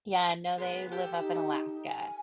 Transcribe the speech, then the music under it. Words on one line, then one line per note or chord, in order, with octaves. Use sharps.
Yeah, no, they live up in Alaska.
G#3 A#3 B3
G4 A4 G5
D#4
G#5